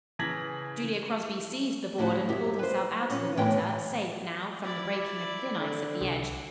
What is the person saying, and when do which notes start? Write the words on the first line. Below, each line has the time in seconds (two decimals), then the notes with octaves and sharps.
Julia Crosby seized the board and pulled herself out of the water, safe, now, from the breaking of thin ice at the edge.
0.19 C#3 E3 G#6 A#6 B6 F#7
1.98 D2 A2 G3 E4 F#4
2.29 F#2 G4 E5
2.59 B4 C5
3.10 A#2 C#4
3.37 A2 D3 E3 B3 C#5 G5
4.62 E4 D5
5.60 D3
6.01 C2